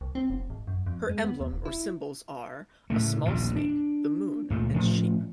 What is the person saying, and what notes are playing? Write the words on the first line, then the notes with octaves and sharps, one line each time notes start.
Her emblem or symbols are, a small snake, the moon and sheep.
C2
C4
F1
G#1
F#2
F2
G#3
B3
D#2
E1
E4
A2 C#3 A3
D#1 A#1 F2 A2
D4
C#2 A#2 A3
A2 F3 A3 C#4